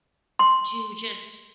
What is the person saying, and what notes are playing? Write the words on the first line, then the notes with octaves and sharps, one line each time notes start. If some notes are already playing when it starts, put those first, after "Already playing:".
to, just,
C6